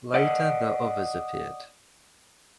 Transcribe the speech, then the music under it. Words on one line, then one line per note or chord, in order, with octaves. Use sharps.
Later the others appeared.
D5 D#5 F#5